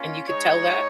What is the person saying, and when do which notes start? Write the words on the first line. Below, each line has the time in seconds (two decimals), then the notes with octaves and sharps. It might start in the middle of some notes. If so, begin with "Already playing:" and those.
and you could tell that?
Already playing: A#3 C#4 F4
0.27 G#3 D#4 C#5